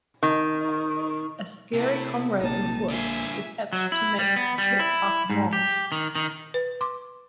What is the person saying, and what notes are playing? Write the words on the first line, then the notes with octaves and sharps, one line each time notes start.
A scary comrade in the woods is apt to make a short path long.
D#3
C3 A3 E4
A#1 A#3 D#4 A5
D3 F4 E5 G#5
F#3
E4
G3
B3
G3
E4
G#2
G4
D#3
D#3
B4
C6 D6